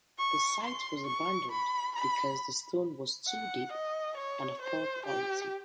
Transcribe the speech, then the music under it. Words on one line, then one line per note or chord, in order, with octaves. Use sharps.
The site was abandoned because the stone was too deep and of poor quality.
C#6
C6
C#6
B5
B5
F#5
D#5
C#5
C5
G4